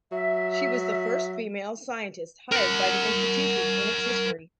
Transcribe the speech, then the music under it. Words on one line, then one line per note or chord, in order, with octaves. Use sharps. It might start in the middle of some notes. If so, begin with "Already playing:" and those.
She was the first female scientist hired by the institution in its history.
F#3 E5
A#4 F#5